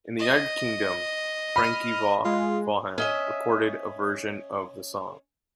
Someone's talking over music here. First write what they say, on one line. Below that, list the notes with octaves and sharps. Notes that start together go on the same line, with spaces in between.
In the United Kingdom, Frankie Vaughan recorded a version of the song.
D#5
B5 F6 D#7
G#3 F4
C#4 D#5 E5